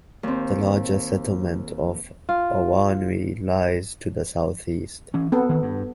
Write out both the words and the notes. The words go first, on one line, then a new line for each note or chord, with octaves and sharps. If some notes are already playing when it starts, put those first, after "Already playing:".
The larger settlement of Awanui lies to the southeast.
D#2 C4
F4
E3 C#4
B3 C4 A4
D#3
G2